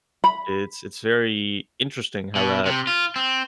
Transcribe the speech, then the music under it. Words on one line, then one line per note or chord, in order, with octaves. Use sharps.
it's it's very interesting how that
B5
B2
C3
F4
C4